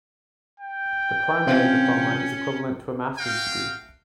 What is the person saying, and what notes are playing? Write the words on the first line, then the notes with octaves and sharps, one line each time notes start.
The primary diploma is equivalent to a master's degree.
G5
C3 E3 C#4 F4
F#4 F5 G5